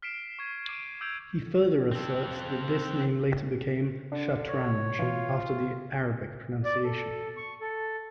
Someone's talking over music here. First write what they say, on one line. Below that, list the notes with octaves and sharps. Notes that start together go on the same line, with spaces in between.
He further asserts that this name later became "Shatranj" after the Arabic pronunciation.
F6 B6 C7 D7 E7
C#6 G#6 C7
D6 D7 D#7
D6 E6 G6 G#6 D7 F7
C4 A4
D3 D4
C#5
B2 E3 F4
D5
A4
C#6
A4